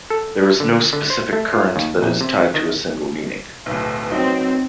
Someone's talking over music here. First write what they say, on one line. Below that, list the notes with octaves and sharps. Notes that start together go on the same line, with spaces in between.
There is no specific current that is tied to a single meaning.
A4
D3
D3
C5
A3
F4
D#2
A#1
C3
D#3
D1 B1 B4
F#3 C4 D#4